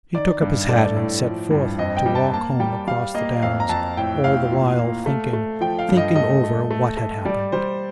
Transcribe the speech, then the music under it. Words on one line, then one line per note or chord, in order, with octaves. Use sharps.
He took up his hat and set forth to walk home across the downs, all the while thinking, thinking over what had happened.
D#3 D5
G2
A3 D5
A2
F3
G2
F2 D#5
G5
G3
A5
A#3 A5
G3 G5
G3 F5
A#3 D#5
F2 F5
A#5
F2 A5
A2 G5
A2 F5
A#2
A#3
A3
A3
F3 G5
F5
G2
D#5
A3 D#5
A3
A3
A3
G3 D5
G3 C5